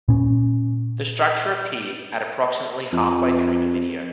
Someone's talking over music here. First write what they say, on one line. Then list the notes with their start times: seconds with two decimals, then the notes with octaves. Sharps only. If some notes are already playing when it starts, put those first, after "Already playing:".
The structure appears at approximately halfway through the video.
0.08 A#2 C#4
2.93 F2